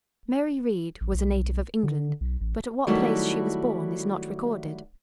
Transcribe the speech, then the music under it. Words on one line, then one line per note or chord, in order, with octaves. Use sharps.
Mary Read was a native of England, but at what place she was born is not recorded.
A1
B1
D3
B1
A1
D#3 F#3 G3 A3 E4 F#4